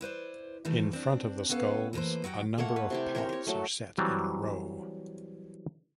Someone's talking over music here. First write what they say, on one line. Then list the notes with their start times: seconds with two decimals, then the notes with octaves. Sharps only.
In front of the skulls, a number of pots are set in a row.
0.01 E4 B4 C5 D5
0.65 G2 D#3 E3 G3 A3
0.93 C4 D4
1.49 B3 C#4 A4 B4 F5
1.93 E3 A3 A#3 B4 C5
2.24 F#3 F#4 F#5 G5
2.58 A3 A#3 C#5 F#5
2.76 B4
2.90 C3 E4 G4
3.15 C4 G4 A#4 C#5
3.29 A#4 C#5
3.47 F#3 A3
3.98 E3 F#3 G3 C4 A#5